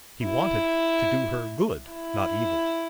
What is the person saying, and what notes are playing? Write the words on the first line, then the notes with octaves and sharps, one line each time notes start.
He wanted to do her good, not evil.
E4
E4